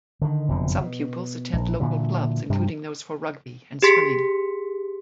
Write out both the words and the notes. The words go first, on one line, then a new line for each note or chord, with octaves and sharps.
Some pupils attend local clubs including those for rugby and swimming.
D3 D#3
F#1 F2 B2 D3
B2
A#1
A#2 D3 E3 F#3
G2 C3 G3
G4 G#4 C6 B6 C#7